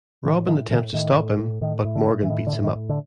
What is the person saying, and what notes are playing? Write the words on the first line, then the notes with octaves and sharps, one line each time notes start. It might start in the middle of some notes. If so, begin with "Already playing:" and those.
Robin attempts to stop him, but Morgan beats him up.
A2 D3 E3
A2 D#3 F3
A2 D3 E3
A2 D#3
A2
A2
A2 D#3
A2
D3
A2
E3
A2 D#3
D3
A2
D#3
A2
D3